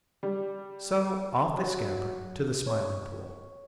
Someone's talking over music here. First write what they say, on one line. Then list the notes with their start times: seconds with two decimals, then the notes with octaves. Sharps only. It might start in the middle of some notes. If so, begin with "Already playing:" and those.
So off they scampered to the Smiling Pool.
0.23 G3
1.57 F#3
2.66 C#5